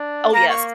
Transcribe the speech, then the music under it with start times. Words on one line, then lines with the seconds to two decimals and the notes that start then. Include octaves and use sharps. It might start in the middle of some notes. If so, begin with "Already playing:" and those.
Oh, yes.
Already playing: D4
0.33 A#3 A#5
0.50 C#6